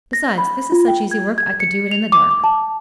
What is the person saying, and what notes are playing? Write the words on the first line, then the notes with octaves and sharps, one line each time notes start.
"Besides, this is such easy work I could do it in the dark."
A#6
B5
F4
G5
G#6
G#6
C#7
F7
D6
D6
A5